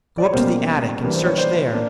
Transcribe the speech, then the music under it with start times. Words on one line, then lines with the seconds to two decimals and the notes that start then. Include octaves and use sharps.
Go up to the attic and search there.
0.18 D5
0.25 C#5
0.33 B2 G3 A#3 C#4 C5
1.03 E3 G3 A#3 D4 B4
1.15 C5
1.26 B4 C#5
1.37 C5 D5
1.73 A#3 D4